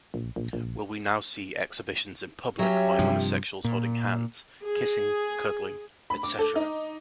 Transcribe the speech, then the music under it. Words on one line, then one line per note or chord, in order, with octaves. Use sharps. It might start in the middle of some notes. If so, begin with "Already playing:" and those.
Will we now see exhibitions in public by homosexuals holding hands, kissing, cuddling, etc?
A#1
A#1
A#1
F#3 C#4 G4 E5
G2 C3 F3
A#2
G#4
B5
D6
A4
D#4